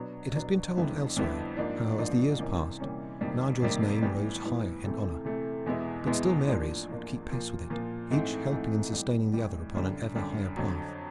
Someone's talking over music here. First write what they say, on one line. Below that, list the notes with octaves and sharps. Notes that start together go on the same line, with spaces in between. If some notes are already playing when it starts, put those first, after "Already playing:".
It has been told elsewhere how as the years passed Nigel's name rose higher in honor; but still Mary's would keep pace with it, each helping and sustaining the other upon an ever higher path.
Already playing: B2 F#3 B3 D4
B2 F#3 B3 D4
F2 D3 G3 B3 E4
F2 D3 G3 B3 E4
G#2 F3 A#3 D4
G#2 F3 A#3 D4
C3 E3 G3 A#3 C#4
C3 E3 G3 A#3 C#4
F2 C3 D#3 G3 A#3
F2 C3 D#3 G3 A#3
A2 E3 G3 B3
A2 E3 G3 B3
C3 E3 A3 C4
C3 E3 A3 C4
E2 B2 G#3 B3 E4
E2 B2 G#3 B3 E4
A2 F3 A#3 D4
A2 F3 A#3 D4
A#2 F3 A#3
A#2 F3 A#3
G#2 E3 A3 C4
G#2 E3 A3 C4
A2 E3 G3
A2 E3 G3
F#2 D3 G3
F#2 D3 G3
F2 D3 F#3